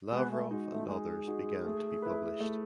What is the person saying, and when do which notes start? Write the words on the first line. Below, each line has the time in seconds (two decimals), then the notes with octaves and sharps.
Lavrov and others began to be published.
0.12 G#3 B3
0.31 A3
0.50 G#3 D#4 F#4
0.70 A3
0.88 G#3 G#4
1.27 D#4 F#4
1.65 A3
2.02 E4 B4
2.40 A3